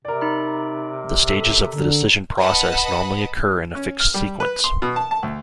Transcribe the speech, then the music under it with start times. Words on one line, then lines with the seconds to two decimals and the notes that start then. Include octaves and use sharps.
The stages of the decision process normally occur in a fixed sequence.
0.05 C3 A#4 D5
0.21 D#4 B5
1.29 A4
1.72 D3
2.38 B4 D#5 F#5 A5 B5
3.75 C#4
4.00 F6
4.14 G3
4.40 B4
4.64 C6
4.82 B2
4.96 A5
5.11 A5
5.23 D2